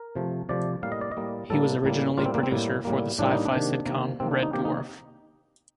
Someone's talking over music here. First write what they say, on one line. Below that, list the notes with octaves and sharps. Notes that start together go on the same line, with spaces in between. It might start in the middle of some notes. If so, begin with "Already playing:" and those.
He was originally producer for the sci-fi sitcom "Red Dwarf".
Already playing: A#4
C3 F3 A3
C3 F3 A3 D5
A2 G3 A#3 F5
D#5
D5
D#5
A2 G3 A#3
A2 G3 A#3 A4
A2 G3 A#3
A2 G3 A#3 F4
C4
A#3
C4
A2 G3 A#3
A2 G3 A#3
A2 G3 A#3 D4
D#4
D4
C3 D#3 A#3
C3 D#3 A#3
C3 D#3 A#3 C4
D4
D#4
C3 D#3 A#3 G4
D#4